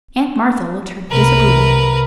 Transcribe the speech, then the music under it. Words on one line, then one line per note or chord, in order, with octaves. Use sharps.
Aunt Martha looked her disapproval.
C2 C3 A#4 B4